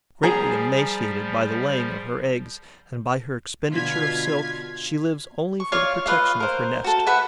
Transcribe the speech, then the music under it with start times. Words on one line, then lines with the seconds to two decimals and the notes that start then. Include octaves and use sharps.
Greatly emaciated by the laying of her eggs and by her expenditure of silk, she lives only for the protection of her nest.
0.23 F3 G3 G#4 G#5 A#5
3.71 B2 D3 F4 F6 G#6 B6
5.60 C#6
5.72 F4 C#5 D5 F5
6.06 F4 B4 D#5 F5
6.40 A#4 C5
6.84 F#4 A4
7.07 B4 E5 F#5 B5